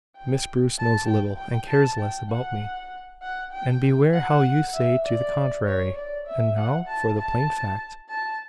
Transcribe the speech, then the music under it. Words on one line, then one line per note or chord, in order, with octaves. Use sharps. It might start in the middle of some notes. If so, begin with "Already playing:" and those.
Miss Bruce knows little, and cares less, about me; and beware how you say to the contrary!--And now for the plain fact.
G5
A5
G5
G5
A5
G5
F#5
F#5
G5
F#5
E5
D5
C#5
D5
E5
F#5
A5
A5
A5